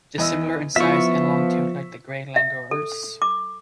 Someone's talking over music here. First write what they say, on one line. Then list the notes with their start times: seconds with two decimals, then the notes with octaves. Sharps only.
It is similar in size and long-tailed like the gray langurs.
0.18 E2 D#5 E6
0.76 F3 B3 E4 F4 E5 C#6
2.36 E5
2.71 A4
3.22 D6